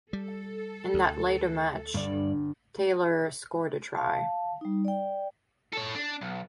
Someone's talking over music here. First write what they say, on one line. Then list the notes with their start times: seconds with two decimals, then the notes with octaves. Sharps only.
In that latter match Taylor scored a try.
0.13 G3 A4
0.94 D2
1.94 G1 G2 D5
3.95 F5 A5
4.61 G3 D#4
4.85 D5 G5
5.73 A4 C#5
5.95 D4
6.21 B1